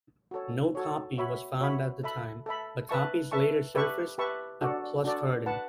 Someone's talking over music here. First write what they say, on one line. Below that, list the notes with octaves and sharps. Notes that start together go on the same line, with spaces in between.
No copy was found at the time, but copies later surfaced at Pluscarden.
F#4 A4 C#5
F#4 A4 C#5
F#4 C#5 E5 B5
F#4 C#5 E5 B5
A4 E5 B5
A4 E5 B5
B4 E5 A5 C#6
B4 E5 A5 C#6
G4 B4 E5 A5 C#6
G4 B4 E5 A5 C#6
D4 F#4 A4 D5
D4 F#4 A4 D5
B4 F#5 A5